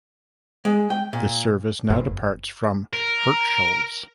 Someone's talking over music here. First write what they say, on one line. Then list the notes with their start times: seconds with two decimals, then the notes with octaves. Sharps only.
This service now departs from Hirtshals.
0.65 G#3
0.90 G5
1.13 A#2
1.90 F#1
2.93 A#4